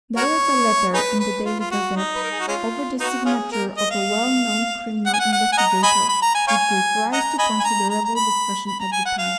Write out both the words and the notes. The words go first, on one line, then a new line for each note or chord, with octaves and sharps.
There was a letter in the Daily Gazette, over the signature of a well-known criminal investigator, which gave rise to considerable discussion at the time.
F#4 A#4 C#5
D#4 G#4 B4
B4
F4
F4
F#4
D#4
B4
A#4
G#4
F#4
G#3 C#4 F4
B3 D#4 F#4
C#4 F4 G#4
A#4
D#5
F5
F#5
G#5
F#5
F#5
G#5
D#5 F#5 A#5
D#5 G#5 B5
B5
A#5
G#5
C#5 F5 G#5
D#5 F#5 A#5
D#5 G#5 B5
G#5
A#5
A#5
A#5
B5
B5
A#5
G#5
F#5
F5